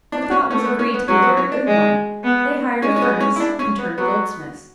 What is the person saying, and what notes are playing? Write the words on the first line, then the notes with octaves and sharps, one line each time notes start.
The thought was agreed to be a very good one; they hired a furnace, and turned goldsmiths.
D4
D4
C#4
A3 C#4
B3
C#4
B3
F#3 C#4
B3
C#4
D4
G#3
B3
G#3 C#4
C#4
B3
C#4
E4
D4
C#4
B3
F#3 B3